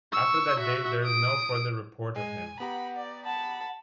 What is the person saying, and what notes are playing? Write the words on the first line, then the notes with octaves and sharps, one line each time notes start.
After that date, there is no further report of him.
C#6 E6
F#4 E5
D#6 D7
G#3 G#5
B3 G4 F#5 A#5 B5
D5
F#5 A5 B5